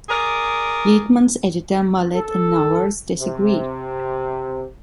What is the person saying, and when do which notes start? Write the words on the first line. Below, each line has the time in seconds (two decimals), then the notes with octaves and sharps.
Yeatman's editor, Mullett and Nowers disagree.
0.09 G#4 A#4 D5
2.14 A4
3.18 C3